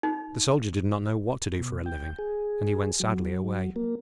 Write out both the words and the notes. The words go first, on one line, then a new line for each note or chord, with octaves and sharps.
The Soldier did not know what to do for a living, and he went sadly away.
D#4
B2
G5
G#4
F#3
A#3